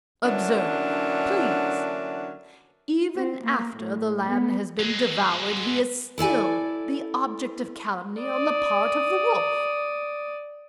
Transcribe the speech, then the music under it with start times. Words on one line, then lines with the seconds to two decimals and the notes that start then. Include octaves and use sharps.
Observe, please!--even after the Lamb has been devoured he is still the object of calumny on the part of the Wolf!
0.23 D3 E3 F#3 A#3 C#4 D4
3.15 C4
3.43 A#3
3.76 A2
4.26 B3
4.79 F#3 G#3
6.18 E4 A4 D5 G#5
8.21 D5 D#6